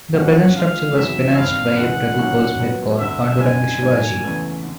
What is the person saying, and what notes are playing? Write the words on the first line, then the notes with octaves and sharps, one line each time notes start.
The present structure was financed by a Prabhu goldsmith called Pandurang Shivaji.
A#2 F#3 A3 C#4 F#5
D3 F3 G#3 F5
E2 C3 D#3 F#3 E5
G2 D#3 G3 C4 F5
C#2 C#3 E3 G#3 F#5
D#3 F#3 A#3 C#4 F#4
A#2 F#3 B3
D2 D3 G3 E5
F#2 D3 G3 C4 D#4 G#5
G#2 D#3 F#3 A#3 D4
E2 C#3 E3 A3
D3